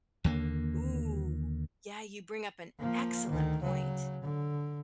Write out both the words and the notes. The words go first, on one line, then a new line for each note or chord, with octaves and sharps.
Ooh, yeah, you bring up an excellent point.
D#2 D3 A#3
F3 A#3
D2 D#3
C#3 F#3
D3